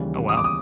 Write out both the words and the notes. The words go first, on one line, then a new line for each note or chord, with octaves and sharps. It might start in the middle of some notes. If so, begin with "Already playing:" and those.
Oh, wow.
Already playing: D#2 C#3 E3 G3
D#6
D6
D#6